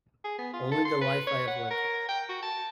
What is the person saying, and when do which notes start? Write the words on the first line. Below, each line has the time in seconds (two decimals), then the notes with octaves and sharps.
Only the life I have lived.
0.24 G#4
0.38 B3
0.53 F4
0.71 A4
0.85 C6
1.01 B4
1.27 C#5
1.47 F#5
1.70 A#4
2.09 G5
2.29 F#4
2.42 A5